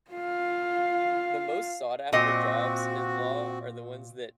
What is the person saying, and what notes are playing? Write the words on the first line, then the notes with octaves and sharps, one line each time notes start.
the most sought after jobs in law are the ones that
F4 F5
A#2 C4 F#4 D#5